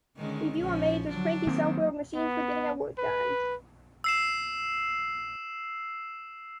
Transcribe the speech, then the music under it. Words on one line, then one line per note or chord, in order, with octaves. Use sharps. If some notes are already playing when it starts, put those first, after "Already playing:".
We view our maids as cranky self-willed machines for getting our work done.
D3 D#3 G#3 C#4
A#1 F3 C#4
D3 F#3 D4
D#3 F#3 A#3 C4
B3
B4
E6 C7 E7